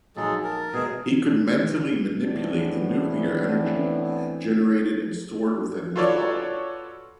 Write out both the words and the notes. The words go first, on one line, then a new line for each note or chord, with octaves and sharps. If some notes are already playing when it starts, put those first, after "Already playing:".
He could mentally manipulate the nuclear energy generated and stored within his body.
A#1 F#3 G#3 D#4 G#4 A4
A#4 A5
B2 G#3 G#4
A2 E3 B3 C4 D4
F4 F#4 A4 B4 C#5 D5